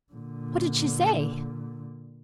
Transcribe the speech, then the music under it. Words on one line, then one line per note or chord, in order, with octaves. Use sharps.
"What did she say?"
A#2 D3